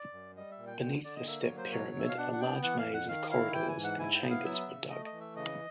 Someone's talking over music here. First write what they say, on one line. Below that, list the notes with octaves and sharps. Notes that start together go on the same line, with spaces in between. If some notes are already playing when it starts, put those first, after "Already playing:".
Beneath the step pyramid, a large maze of corridors and chambers were dug.
Already playing: D5
F#2
G3 D#5
E5
A#2
G5
D3 G5
D3 D5
D#5
A#3 E5
C#5
F#3
C5
B2 C#5
B2 E5
F5
D4 F#5
F#5
B3 G5
E3 F#5
F5
F2
F#5
D#3 F5
E4 F5
E3 G5
G#5
G#2
F#5
E4 G#5
G5
B3
F5
F#3 E5
C#3
A3 D#5
D#5
E3
E5
C#3 D#5